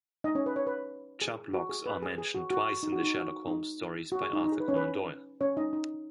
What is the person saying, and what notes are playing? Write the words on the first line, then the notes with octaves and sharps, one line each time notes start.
Chubb locks are mentioned twice in the Sherlock Holmes stories by Arthur Conan Doyle.
D#4 D#5
C#4 C#5
B4
C#5
B4
G#4
F#4
G#4
B4
G#4
G#4
F#4
F#4
D#4
F#4
D#4
F#4
D#4
F#4
G#4
D#4
D#4
G#4
B4
C#4 C#5
B4
C#4 C#5
D#4 D#5
D#4